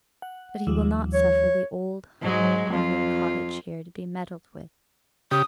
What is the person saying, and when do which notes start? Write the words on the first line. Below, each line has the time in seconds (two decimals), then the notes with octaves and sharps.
But he will not suffer the old, humble Arler cottage here to be meddled with.
0.22 F#5
0.67 D#2 F3 G3
1.13 C#5
2.21 G#2 F#3 G#3
2.70 F2 F4
5.31 C#3 G4 D#6